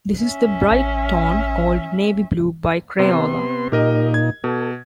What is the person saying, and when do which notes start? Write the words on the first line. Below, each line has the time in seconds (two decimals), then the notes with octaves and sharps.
This is the bright tone called "navy blue" by Crayola.
0.23 C#4 E5
0.71 A1
2.99 C3 B3 C6
3.72 A#2 D#4 G4 A#4 D#5
4.14 G#6
4.44 B2 A4